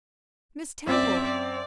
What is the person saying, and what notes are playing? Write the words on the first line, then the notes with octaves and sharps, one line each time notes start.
Miss Temple!
F#2 C4 D5 E5
D5